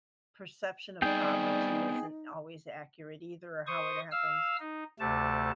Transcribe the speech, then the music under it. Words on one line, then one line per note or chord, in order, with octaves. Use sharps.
perception of poverty isn't always accurate either or how it happens.
G3 B3 C4 D#4 G#4 D5 G5
C5 C#6 D#6
F5 E6 F6
D#4
D2 C3 A3 A5